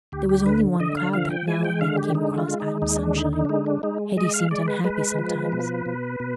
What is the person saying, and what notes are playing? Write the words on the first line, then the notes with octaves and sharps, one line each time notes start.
There was only one cloud that now and then came across Adam's sunshine: Hetty seemed unhappy sometimes.
D2 G4
G4
D3 B4
D3 D#5
F5
F3 F5
G5
G#3 G#5
G5
D3 F5
G4
G#3 D#4
F4
G#3
D#4
D#2 D#4
D4
D3 D#4
D#4
D4
G#3 D#4
D4
G#3 D#4
G#3 D#5
F5
G#3 D5
B4
G#3 B4
F3
B2
B2
B2